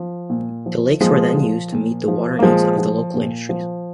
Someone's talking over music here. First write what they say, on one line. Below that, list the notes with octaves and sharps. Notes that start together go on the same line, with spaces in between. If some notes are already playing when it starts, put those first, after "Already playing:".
The lakes were then used to meet the water needs of the local industries.
Already playing: F3
A#2
F3
A#2 F3 G#3
F3
A#2
F3
A#3
A#2 F3 G#3
F3
A#2
F3